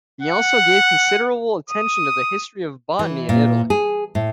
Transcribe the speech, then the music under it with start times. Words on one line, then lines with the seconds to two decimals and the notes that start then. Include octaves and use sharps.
He also gave considerable attention to the history of botany in Italy.
0.22 F#5
1.70 D#6
2.99 E3
3.29 A#2
3.70 G#4
4.15 A2